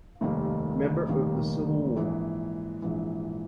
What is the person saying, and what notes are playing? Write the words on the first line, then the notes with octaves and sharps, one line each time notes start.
Member of the Civil War.
F1 D#2 D#3 G3 A#3
F1 D#2 D#3 G3 A#3
A#1 G#2 E3
A#1 G#2 E3